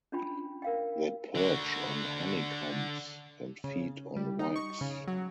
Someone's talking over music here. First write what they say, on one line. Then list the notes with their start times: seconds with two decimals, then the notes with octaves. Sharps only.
They perch on honeycombs and feed on wax.
0.12 C#4 D4 F4 G5 B5
0.62 A#4 F5 G5
1.35 D3 F#4
3.64 C#3
4.16 G3
4.39 D#4
4.56 C#6
4.81 C#3
5.08 F#3